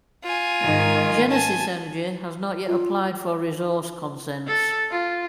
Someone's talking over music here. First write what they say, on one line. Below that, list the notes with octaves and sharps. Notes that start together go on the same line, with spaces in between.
Genesis Energy has not yet applied for resource consents.
F4 G#5
G#2 D#3
G#5 A5
F4
A4
F4